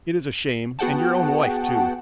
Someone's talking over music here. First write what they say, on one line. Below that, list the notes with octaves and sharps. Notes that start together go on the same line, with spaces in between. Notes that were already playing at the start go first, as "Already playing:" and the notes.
It is a shame, and your own wife too.
B3 F#4 G#4 F#5 G5 A5